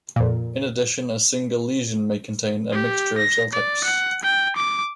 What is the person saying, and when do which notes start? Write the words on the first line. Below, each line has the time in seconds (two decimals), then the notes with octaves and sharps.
In addition, a single lesion may contain a mixture of cell-types.
0.16 F2 A#2
2.72 G4
3.18 A#6
3.53 D5
3.84 F#5
4.23 G5
4.56 D6